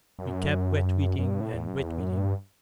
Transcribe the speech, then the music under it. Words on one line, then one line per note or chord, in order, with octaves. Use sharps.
We kept wetweating and wetweating.
F#2
F#2
G2
A2
E2
F#2
E2
F#2
G2